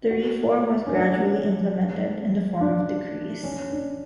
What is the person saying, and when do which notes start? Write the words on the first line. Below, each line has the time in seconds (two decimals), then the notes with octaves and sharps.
The reform was gradually implemented in the form of decrees.
0.11 F#4
0.87 C#4
0.93 D4
2.60 D4
3.44 C#4
3.72 D4